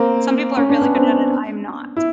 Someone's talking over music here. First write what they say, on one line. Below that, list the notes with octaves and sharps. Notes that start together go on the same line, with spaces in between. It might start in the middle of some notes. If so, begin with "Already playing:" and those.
some people are really good at it, I'm not,
Already playing: A#3 C4
C#4
D4
B3 C#4
C4 D4
E4